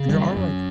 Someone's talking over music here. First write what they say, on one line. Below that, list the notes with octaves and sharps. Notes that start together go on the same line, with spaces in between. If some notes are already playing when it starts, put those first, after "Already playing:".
and there are, like
Already playing: C#3
F#2 G3
F#2